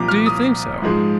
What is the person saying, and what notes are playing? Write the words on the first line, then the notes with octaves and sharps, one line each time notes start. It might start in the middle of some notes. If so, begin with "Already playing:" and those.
"Do you think so?"
Already playing: C2 A#2 F3 A#5 D6
F6
D#6
G#2 F3 G#3